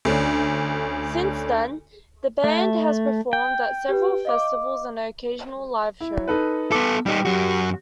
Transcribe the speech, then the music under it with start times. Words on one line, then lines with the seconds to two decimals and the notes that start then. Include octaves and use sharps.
Since then the band has performed at several festivals and the occasional live show.
0.05 D2 A3 C#4 D4
2.44 A3
3.33 G5
3.89 G4 B4
4.25 D#5 F5 D6
6.01 E4
6.28 D#4 A4 B4
6.72 B3 A4 D6
7.06 G3 D#4 G4
7.25 F#2 F#4